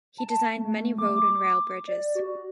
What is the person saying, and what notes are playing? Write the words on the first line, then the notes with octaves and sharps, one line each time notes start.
He designed many road and rail bridges.
A5
A3
D6
D5
F#4